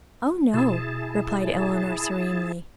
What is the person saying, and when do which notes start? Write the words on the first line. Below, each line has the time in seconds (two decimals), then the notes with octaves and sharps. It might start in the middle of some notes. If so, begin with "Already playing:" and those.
"Oh, no," replied Eleanor serenely.
0.54 B2 E4 G#4 A5